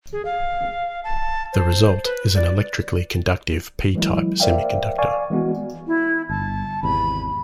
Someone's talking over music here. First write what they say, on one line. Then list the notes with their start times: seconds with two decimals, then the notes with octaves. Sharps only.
The result is an electrically conductive p-type semiconductor.
0.13 G#4
0.25 F5
1.04 A5
1.53 C5
2.05 B4
2.35 D5
3.95 E3 F#3 G#3 A#3 E4
4.40 A#4 C5 D5 E5 F5 G5
4.98 D5 F5 G#5 C#6
5.30 E3 G#3 B3 F#4
5.87 E4
6.30 G1 A5
6.83 G#1 E2 C3 B5